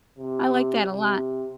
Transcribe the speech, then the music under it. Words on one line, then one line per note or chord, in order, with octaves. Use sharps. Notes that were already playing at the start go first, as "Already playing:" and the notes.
I like that a lot.
C3
C3